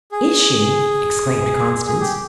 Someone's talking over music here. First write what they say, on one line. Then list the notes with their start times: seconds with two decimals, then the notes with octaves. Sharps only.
"Is she?" exclaimed Constance.
0.12 G#4
1.87 G#4
2.00 G4